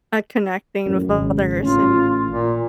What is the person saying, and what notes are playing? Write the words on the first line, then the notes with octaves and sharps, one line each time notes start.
at connecting with others and
F#2 A2
G#1 C#3
A1 C#4 F4
A#2